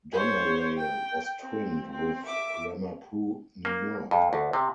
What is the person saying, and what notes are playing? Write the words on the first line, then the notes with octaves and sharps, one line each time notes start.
Doneraile was twinned with Ramapo, New York.
C5 C#5
G5
C4
C4
E5 D6
A#3
F2
D2
C3